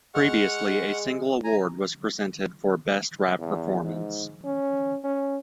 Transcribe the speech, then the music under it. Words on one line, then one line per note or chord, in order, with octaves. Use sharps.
Previously a single award was presented for Best Rap Performance.
G#3 F#5 C#6 F6
G#5 A#5
E2
G#2
C#4
C#4